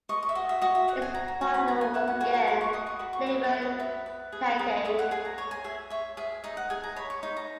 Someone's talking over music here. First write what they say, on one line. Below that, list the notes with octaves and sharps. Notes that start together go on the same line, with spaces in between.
His partner was again Flavia Cacace.
D#5 C#6
C#6
E5
F#4 D#5
E5
F#4 D#5
E5
F#4 F#5
G#5
F#4 A#5
A#5
F#4 A#5
B5
B4 A#5
G#5
F#4 E5
F#5
F#4 G#5
A#5
B4 B5
C#6
D#5 D#6
C#6
F#4 B5
C#6
B4 F#5
E5
F#4
D#5
B4 E5
B4
G#4
G#4
C#5 E5
F#5
G#4 G#5
A#5
C#5 A#5
G#5
G#4 E5
C#5 E5
G#4 E5
D#4 D#5
F#5
G#4 G#5
A#5
C#5 B5
C#6
D#4 B5
A#5